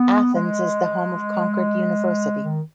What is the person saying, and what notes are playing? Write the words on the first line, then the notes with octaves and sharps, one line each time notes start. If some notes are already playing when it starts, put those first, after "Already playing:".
Athens is the home of Concord University.
Already playing: B3
G#3
D#3